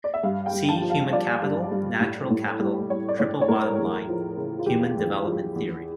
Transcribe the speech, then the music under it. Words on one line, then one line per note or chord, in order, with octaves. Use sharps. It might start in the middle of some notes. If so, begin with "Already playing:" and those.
See human capital, natural capital, triple bottom line, human development theory.
D5
E5
G2 F5
G5
G2
A5
F3
F5
F3 D5
G2
G2
A2
A2
G3
G3 C#5
D5
A2 C#5
C#5
A2 A#4
E2
F3
C#3
F4
E2 G4
E2
F3
E2